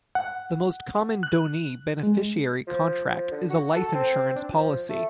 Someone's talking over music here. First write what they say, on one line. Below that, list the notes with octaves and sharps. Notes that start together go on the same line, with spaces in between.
The most common donee beneficiary contract is a life insurance policy.
F#5
F#6
G#3
F3
F3
D3
F#4
A4
C4
D4
F3
A3